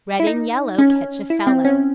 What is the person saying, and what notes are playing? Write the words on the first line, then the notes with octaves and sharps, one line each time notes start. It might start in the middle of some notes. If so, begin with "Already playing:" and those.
Red and yellow, catch a fellow.
E4
D#4
C#4
E4
C4
C#4